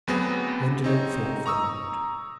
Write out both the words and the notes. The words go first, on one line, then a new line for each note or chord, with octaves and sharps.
Gwendolen thought for a moment.
D2 F#3 B3 C4 G#4 A#6
C4 D#4 C#5
A#5 C#6 D#6 E6